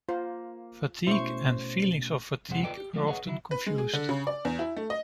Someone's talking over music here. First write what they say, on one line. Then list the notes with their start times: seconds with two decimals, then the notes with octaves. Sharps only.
Fatigue and 'feelings of fatigue' are often confused.
0.09 A#3 F4 C5
1.07 B2 A3 C#4 E4 C5 C#6
2.49 F2 C3 G3 G#3 C5 F#5
2.63 F4 A4 B4 D5 D#5 G5
2.78 G4
2.93 F3 G#3 A3 C#4 F4
3.07 G#4 B4 C#5 D#5 F#5
3.26 D#3 F#3 E4
3.51 B4
3.66 G#3
3.78 G#4
3.93 D3
4.09 C#3
4.27 D5
4.45 E2
4.59 E4
4.77 A3
4.90 D#5